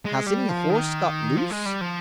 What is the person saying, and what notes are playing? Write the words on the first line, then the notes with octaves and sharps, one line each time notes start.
"Has any horse got loose?"
G#3
G3
F3
D#3
F3
G#3
G3
F3